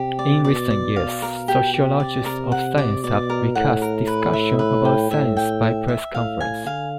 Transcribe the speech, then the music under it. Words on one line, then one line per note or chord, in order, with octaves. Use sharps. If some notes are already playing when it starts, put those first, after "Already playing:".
In recent years, sociologists of science have recast discussion about "science by press conference".
Already playing: C3 G4
D5
B2 D5
D5
B2 F5
A#4
G4
G4
C3 D5
A#4
F#5
D5
B2 D5
A#4
A2 F#5
A#4
B4
E5
B4
G5
A2 E5
G5
E5
E5
A2 F5
G#5
D3 F5